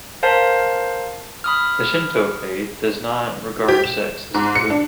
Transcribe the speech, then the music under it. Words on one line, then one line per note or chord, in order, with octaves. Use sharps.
The Shinto faith does not regard sex as a taboo.
A#4 C5 F5 A5
B5 D#6 F6
G4
E7
G#2
C#7
D4